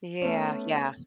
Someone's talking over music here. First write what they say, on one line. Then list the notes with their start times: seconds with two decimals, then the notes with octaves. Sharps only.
Yeah, yeah.
0.22 A3 B3 C#4